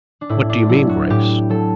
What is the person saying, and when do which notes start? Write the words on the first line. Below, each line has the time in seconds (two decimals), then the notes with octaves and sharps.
"What do you mean, Grace?"
0.21 D4
0.29 A2 E4
0.49 D4
0.69 F#3 E4
0.89 F#4
1.10 A2 G4
1.49 F#3 A4